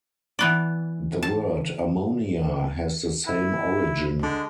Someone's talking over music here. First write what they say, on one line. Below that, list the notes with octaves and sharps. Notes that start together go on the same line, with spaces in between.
The word "ammonia" has the same origin.
E3 B3 D5
A5
E4
D3 G#3